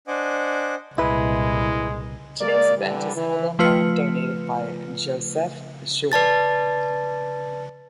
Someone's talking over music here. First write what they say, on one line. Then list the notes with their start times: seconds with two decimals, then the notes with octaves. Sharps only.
Today's event is held on land donated by Josef Pschorr.
0.08 D4 C5 D#5 F#5 G#5 D6
0.98 C2 A#2 G#3 E4 B4
2.41 G#3 A#3 D5
2.78 D3 E3 G3
3.14 E3
3.59 F3 A3 F4 B4 F6 C#7
6.12 B4 D5 A5 A6